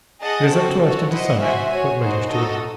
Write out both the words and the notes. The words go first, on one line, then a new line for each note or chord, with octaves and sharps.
"It is up to us to decide what measures to adopt."
G#4 D#5 F#5 A5
C4 F#4 A4
F#4 A4 C#5
E4 C5 D#5 F#5
F#4 C5 E5 G#5
F#4 C#5 G#5
D#4 F#4 C5
D#4 F#4 A4 D#5